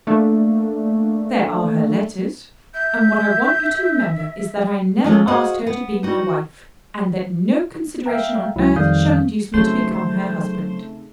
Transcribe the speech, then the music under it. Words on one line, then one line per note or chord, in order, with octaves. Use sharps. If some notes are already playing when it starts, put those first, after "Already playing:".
There are her letters, and what I want you to remember is that I never asked her to be my wife, and that no consideration on earth shall induce me to become her husband.
A3 A#3 D4
E5 G6
F3 G#3 C4 C#4
F#4 G#4 C5 D#5 F5 F#5
B3
D#4 F#4
E5 F5 G5 A#5
C#2 F#3 E4
F2 D#3 G3 F5 D#6 G6
C#3 F#3 A3 C4 D#4 G#4 C5 E7